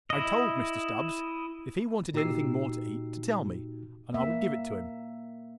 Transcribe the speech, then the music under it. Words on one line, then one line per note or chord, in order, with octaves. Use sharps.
I told Mr. Stubbs if he wanted anything more to eat, to tell me, an' I would give it to him.
E4 D#5
A#2 D#4 F#4 G4 E6 C7
A#3 E5